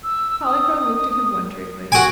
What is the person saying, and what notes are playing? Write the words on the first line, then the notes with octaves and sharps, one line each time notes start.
Polychrome looked at him wonderingly.
E6
D#6
F#4 G#5 D7